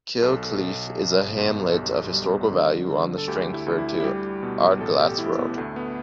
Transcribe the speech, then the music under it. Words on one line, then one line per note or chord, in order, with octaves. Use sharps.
Kilclief is a hamlet of historical value on the Strangford to Ardglass road.
B1 A4
B1
G1
G1
A4
B1 G4
G3
D3
D3
A4
D2 G4
E4
D2
E4
E4
G3 G4
B2
A1 A4
G4
A2 E4
B3
D2 A3
B3